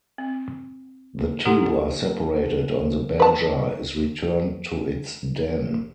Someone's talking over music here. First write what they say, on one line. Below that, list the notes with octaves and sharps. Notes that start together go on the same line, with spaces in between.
The two are separated and the badger is returned to its den.
C4
E4 G4 A4 F#5 A#5
B4 A5